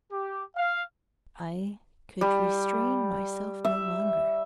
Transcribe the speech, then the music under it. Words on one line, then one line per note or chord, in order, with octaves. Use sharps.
I could restrain myself no longer.
G4
F5
G3
E5